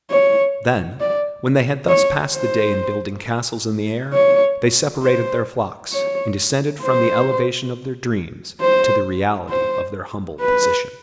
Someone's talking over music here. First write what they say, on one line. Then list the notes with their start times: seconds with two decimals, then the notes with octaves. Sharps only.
Then, when they had thus passed the day in building castles in the air, they separated their flocks, and descended from the elevation of their dreams to the reality of their humble position.
0.10 C#5
1.00 D5
1.89 C#5
2.34 C5
4.13 C#5
5.03 C5
5.92 C#5
6.82 C5
8.61 C5
9.50 C5
10.40 B4